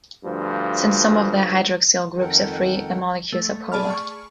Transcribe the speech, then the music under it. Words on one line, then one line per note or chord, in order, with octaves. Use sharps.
Since some of their hydroxyl groups are free their molecules are polar.
D2 G2 F3
F2 D#3 A4 A#4 F#5 G5
A3
G#4 D5 A5 B5 F6
C#6